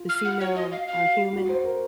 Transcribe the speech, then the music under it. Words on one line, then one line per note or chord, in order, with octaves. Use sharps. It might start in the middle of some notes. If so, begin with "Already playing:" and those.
the female, uh, human.
Already playing: F4
F6
F#5
F#4 C#5
D#5
F5
F5
F#4
C5
A#4